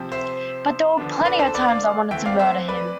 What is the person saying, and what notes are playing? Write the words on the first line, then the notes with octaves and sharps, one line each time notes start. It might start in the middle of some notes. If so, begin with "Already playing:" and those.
But there were plenty of times I wanted to murder him!
Already playing: C3 F3 C4
C5 E5
D3 F3 B3 D4
B4 D5
A4 C5
B4 D5
D5 F5
E3 A3 C4 E5 G5
D5 F5
C5 E5
B4 D5